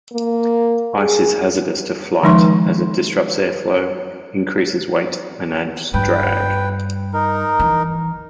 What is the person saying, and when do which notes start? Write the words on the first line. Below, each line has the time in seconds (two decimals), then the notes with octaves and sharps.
Ice is hazardous to flight as it disrupts airflow, increases weight, and adds drag.
0.13 A#3
0.98 G#4
2.23 D#3 F3 G#3 D#4 C6 C#6
5.94 G2 B4 G5
7.13 D#4 A#4
7.60 E3